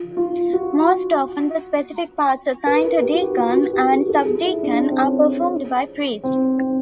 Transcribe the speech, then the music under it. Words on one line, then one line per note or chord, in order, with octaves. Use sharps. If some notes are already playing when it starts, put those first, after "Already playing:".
Most often the specific parts assigned to deacon and subdeacon are performed by priests.
Already playing: F4
F4
F#4
B4
A#4
G4
F#4
G4
F#4
F#4
G4
G#4
A4
G#4
E4
D4
C#4
C4
C#4
C4
C4